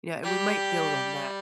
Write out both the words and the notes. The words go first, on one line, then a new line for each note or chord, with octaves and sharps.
you know, and we might build on that.
G3 G4